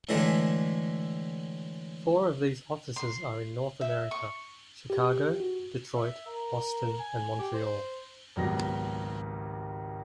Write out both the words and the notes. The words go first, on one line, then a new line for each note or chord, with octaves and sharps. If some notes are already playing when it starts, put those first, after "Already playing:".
Four of these offices are in North America: Chicago, Detroit, Boston and Montreal.
A2 D3 E3 G#3 A3 D4
C6
E5
C#6
G4
F#4
E5
A#4
G#5
G4
C5
G#1 C#2 F#3 G3 B3 A#6